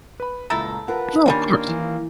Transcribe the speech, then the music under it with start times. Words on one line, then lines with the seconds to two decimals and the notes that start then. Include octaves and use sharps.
No, of course.
0.20 B4 B5
0.50 C#2 A#2 A3 E4 A4 A#5
0.88 F4 A#4 B4 F#5 A5
1.26 D#3 G3 A#3 C#4 D4 F4
1.68 E3